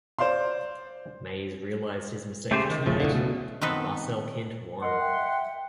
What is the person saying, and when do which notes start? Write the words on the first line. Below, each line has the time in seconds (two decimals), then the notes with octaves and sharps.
Maes realised his mistake too late and Marcel Kint won.
0.19 C5 D5 F5 C6
2.51 C#3 A3 G4 C5
2.70 D#3
2.86 E1 A#1 C#3 F3 A3
3.00 A2 D3
3.14 B2
3.62 D#3 B3 C4 A4 B4
4.82 A#4 D#5 F#5 C6
4.99 E5 G5